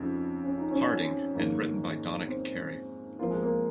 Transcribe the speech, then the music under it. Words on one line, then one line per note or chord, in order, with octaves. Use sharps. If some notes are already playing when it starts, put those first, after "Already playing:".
Harding and written by Donick Cary.
Already playing: F2 C#3 F3 D#4
C#4
D#4
C#4
G#2 D#3 A#3
C4
F3 A#3 C4 F4
G#3
A#3